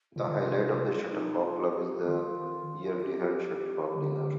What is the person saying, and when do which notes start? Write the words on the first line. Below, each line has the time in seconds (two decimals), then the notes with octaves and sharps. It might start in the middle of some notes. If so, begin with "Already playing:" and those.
The highlight of the Shuttlecock Club is the yearly held Shuttlecock dinner.
0.16 C3 F4
0.28 D3
0.38 C3
1.11 D#4
1.42 F4
1.74 G4
2.05 D#3 F4
3.00 G4
3.95 D3